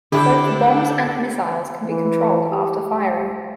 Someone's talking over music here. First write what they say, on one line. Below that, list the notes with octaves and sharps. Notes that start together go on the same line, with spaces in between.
Both the bombs and missiles can be controlled after firing.
D3 D4 E4 G4 A4
E3
G4